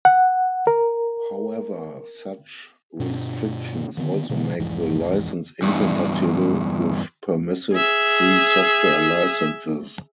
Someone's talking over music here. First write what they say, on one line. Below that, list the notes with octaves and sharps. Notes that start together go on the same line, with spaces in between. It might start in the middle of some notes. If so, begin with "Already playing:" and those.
However such restrictions also make the license incompatible with permissive free software licenses.
F#5
A#4
G2 B2 D4
D3 D#3 G#3 B3
B2 D3 G#3
C2 F2 G#2 E3
E2 G2
G#4 E5